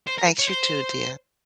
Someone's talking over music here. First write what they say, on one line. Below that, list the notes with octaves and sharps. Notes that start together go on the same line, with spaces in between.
Thanks, you too, dear.
C5
A#4
C#5
C5